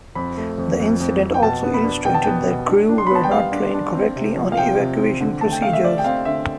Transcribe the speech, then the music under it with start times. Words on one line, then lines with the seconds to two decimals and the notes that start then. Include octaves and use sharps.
The incident also illustrated that crew were not trained correctly on evacuation procedures.
0.15 F2 B5
0.37 A3
0.58 F2
0.80 F2
1.00 F2
1.21 F2
1.34 G5
1.42 B2 A5
1.63 B3
1.74 B5
1.84 D4
2.05 B2 G5
2.14 A5
2.23 B3 G5
2.47 B2
2.68 D4
2.89 D4
2.98 C6
3.07 B5
3.10 B3 A5
3.24 G5
3.31 G3 F5
3.52 D4
3.74 D4
3.95 C4
4.16 C3
4.37 F3
4.52 F5
4.57 C3 G5
4.79 C3
4.99 C4
5.21 D3
5.41 A3 A5
5.51 G5
5.62 A3 F5
5.73 E5
5.84 A3 D5
5.98 G5
6.04 C4 F5
6.25 D3 E5